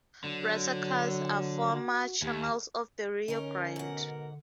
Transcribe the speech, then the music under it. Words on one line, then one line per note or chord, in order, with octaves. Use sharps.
Resacas are former channels of the Rio Grande.
D3 F#3
F#4
D#2 G4
D3 C#4 D#4 A#4
G#2 B2 A#4 F#5